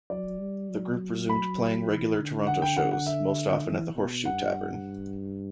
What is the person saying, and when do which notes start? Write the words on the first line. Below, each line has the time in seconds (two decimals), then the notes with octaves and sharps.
The group resumed playing regular Toronto shows, most often at the Horseshoe Tavern.
0.10 F#3 D5
0.39 G3
0.69 F#3
1.29 B5
1.88 E3
2.18 D3
2.47 F#5
2.62 G5
2.77 F#5
2.92 F#5
3.06 E5
3.66 E3
3.95 B2
4.25 G2 F#5